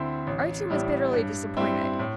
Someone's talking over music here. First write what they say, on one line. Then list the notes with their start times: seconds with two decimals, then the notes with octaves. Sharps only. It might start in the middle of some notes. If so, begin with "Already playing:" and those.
Archie was bitterly disappointed.
Already playing: D2 D3 C4 E4
0.27 A1
0.70 A2 G3 E4
1.13 G2
1.57 G3 C4 E4
1.99 A2